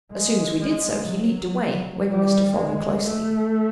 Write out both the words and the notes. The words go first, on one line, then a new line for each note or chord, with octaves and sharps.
As soon as we did so, he leaped away, waving us to follow closely.
G#3
G#3
F#3
G3
G#3
A3